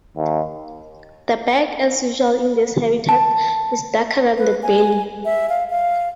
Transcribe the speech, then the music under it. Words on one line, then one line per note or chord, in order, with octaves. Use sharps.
The back, as usual in this habitat, is darker than the belly.
D#2
A5
B4
G#5
E5
F5
F5